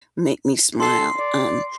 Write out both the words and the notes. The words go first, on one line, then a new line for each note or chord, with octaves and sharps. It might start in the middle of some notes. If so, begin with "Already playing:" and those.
make me smile, um,
A4 C6 C7
D5